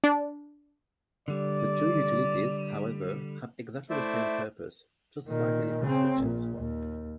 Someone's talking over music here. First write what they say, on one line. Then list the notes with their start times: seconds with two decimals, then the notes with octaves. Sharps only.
The two utilities, however, have exactly the same purpose, just slightly different switches.
0.04 D4
1.28 D3 G3 D5
3.90 A3 E4 C5 D5 E5
5.28 A#2 D#3
5.81 C#3 C4
6.19 A#1 A#2
6.57 D#2